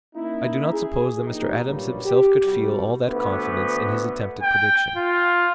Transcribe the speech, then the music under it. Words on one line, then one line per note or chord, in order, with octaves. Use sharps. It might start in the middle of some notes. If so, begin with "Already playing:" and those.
I do not suppose that Mr. Adams himself could feel all that confidence in his attempted prediction.
A#3 C#4 D#4 E4
G#4
A#1 D#4 G4
G2 A#2 C#3 F#3 G3 A#3
G4
C2 G3 F#4
D2 B3
G5
F4